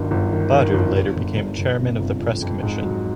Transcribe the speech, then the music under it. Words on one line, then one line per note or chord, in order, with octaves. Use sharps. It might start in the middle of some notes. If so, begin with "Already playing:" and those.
Badu later became Chairman of the Press Commission.
Already playing: G1 G2 D#3 F#3
G1
D#3
D#3
G1
G1
G1
G1
G1
C3
G1
F2
F2
G#2
F#3